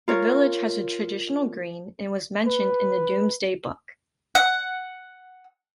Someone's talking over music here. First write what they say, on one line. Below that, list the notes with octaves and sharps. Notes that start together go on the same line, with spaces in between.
The village has a traditional green and was mentioned in the Domesday Book.
F4 A#4 C#5
B4
F#5